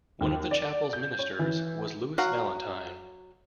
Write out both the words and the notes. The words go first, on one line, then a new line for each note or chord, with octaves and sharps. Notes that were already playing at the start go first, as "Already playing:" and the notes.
One of the chapel's ministers was Lewis Valentine.
D#2
D5
G6
C#5
E3
F#3 F#4 F5 F#5